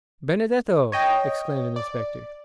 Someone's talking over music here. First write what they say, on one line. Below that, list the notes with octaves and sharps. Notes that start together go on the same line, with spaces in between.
"Benedetto!" exclaimed an inspector.
C#5 D#5 G5
D5